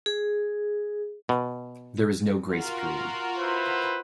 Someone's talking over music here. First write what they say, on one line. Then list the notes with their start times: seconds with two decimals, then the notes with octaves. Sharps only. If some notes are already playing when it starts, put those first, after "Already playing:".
There is no grace period.
0.06 G#4
1.29 B2
2.52 F4 F#4 A#4
3.38 E4 B4 C5